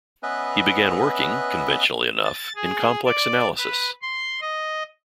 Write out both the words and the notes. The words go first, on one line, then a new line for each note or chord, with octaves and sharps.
He began working, conventionally enough, in complex analysis.
B3 C#4 B4 D#5 E5 F#6
A6
G#4
D5
B4
C6
D#5